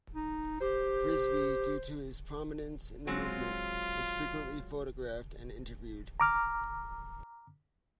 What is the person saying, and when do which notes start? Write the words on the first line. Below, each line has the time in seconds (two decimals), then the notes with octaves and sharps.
Frisbee, due to his prominence in the movement, was frequently photographed and interviewed.
0.15 D#4
0.61 G4 C5
3.07 F#3 G#3 C4 F4
6.20 A#5 D6 F6